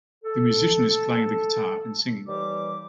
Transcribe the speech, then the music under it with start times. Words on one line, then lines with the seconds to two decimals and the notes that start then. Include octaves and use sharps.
The musician is playing the guitar and singing.
0.24 A4
2.27 D#2 E3 G3 G4 D6